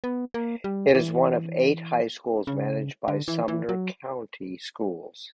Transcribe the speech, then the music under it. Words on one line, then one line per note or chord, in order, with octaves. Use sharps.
It is one of eight high schools managed by Sumner County Schools.
B3
A#3
G3
E3
C#3
D3
E3
E3
F#3